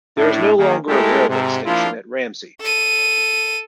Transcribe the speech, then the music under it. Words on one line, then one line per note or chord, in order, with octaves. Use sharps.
There is no longer a railway station at Ramsey.
A2 D4 E4
D#3 A#3 G#4
G#3 A3 E4 G4 A4 A#4
G#2 C3
F3 A#3 D4 E4 F4
A4 D#7